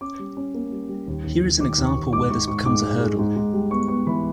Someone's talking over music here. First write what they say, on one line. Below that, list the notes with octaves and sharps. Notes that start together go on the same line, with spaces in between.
Here is an example where this becomes a hurdle.
C#4 D6
G3
C#4
A#3
G3
G3
D#2
D#2
D#2
D#2 D6
D#2
C#6
D#2
G#2 D6
G#2 C#6
G#2 C#6
G#2 D6
G#3
G#3
G#2
G#2
G3
B3 C#6
B3 C#6
E3 B5